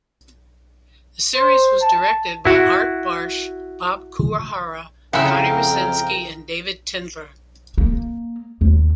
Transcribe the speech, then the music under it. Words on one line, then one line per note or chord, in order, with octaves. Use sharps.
The series was directed by Art Bartsch, Bob Kuwahara, Connie Rasinski, and David Tendlar.
C5
A5
E4 F#4
F2 C#3 E4 A#4 F#5 G5
A#3
D#2